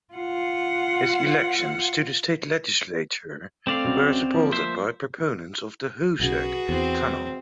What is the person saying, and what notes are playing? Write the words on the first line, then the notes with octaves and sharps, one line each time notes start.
His elections to the state legislature were supported by proponents of the Hoosac Tunnel.
F4 F#5
A3 C4 D5 F5
C#2 C#3 F#3
F3 A#3
C5 E5
B1 C#3 F#4 G#4 B4
E2 C4